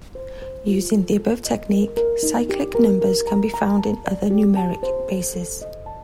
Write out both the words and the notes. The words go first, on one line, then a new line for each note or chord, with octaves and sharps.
Using the above technique, cyclic numbers can be found in other numeric bases.
C5
C5
F4
A4
A4
D#5
A#4
A#4
D#4
G4
A#4
A#4
A#5
A#5
A5
D5
G4
A5
C5
A4
A4
D#5
A5